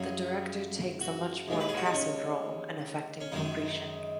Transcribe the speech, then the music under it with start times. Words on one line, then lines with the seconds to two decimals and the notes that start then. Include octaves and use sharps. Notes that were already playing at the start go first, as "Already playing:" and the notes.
The Director takes a much more passive role in affecting Poprishchin.
Already playing: F#2 C#3 F#3 G#4
1.01 F#4
1.48 D#2 D#3 G#3
1.60 B4
1.69 G#4
1.77 F#4
1.86 D#4
1.94 C#4
3.20 C#4
3.32 F#2 D#3 G#3 D#4